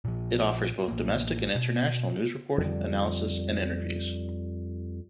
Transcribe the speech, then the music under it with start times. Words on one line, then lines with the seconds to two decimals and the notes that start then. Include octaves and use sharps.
It offers both domestic and international news reporting, analysis, and interviews.
0.05 A#2 F3
0.88 A1 A#3
1.55 B2
2.58 F2 D3 G3